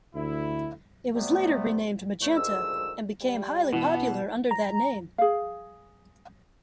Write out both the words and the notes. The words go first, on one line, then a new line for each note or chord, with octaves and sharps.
It was later renamed magenta, and became highly popular under that name.
D2 E4
C3 G3 A3 B3
E2 A3
D2 D#3 F3 G#3 E6
G3
B2 E3 B3
A#5
G#4 F5